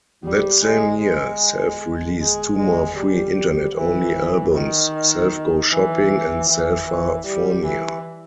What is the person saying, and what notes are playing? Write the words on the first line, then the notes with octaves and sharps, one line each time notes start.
That same year, Self-released two more free Internet-only albums, "Self Goes Shopping" and "Selfafornia".
G3
G#3
G#3
G#3
G#3
G3
E3
D#3
E3
E3
E3
G3
E3